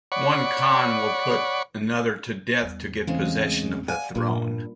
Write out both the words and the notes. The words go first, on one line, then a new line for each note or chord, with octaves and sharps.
One Khan will put another to death to get possession of the throne.
C#5 D5 F#5 B5 C#6
E2 G3
C#3 E3 G#3 A3 C4
D5 F5 F#5 G#5
G2 A#2 F3 A#3 F4 A#4